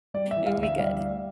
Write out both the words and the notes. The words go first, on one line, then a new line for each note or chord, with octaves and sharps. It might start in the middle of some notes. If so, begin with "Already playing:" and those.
It'll be good,
G3 D5
E5
E3
F5
D2
E5
G3 F5
G3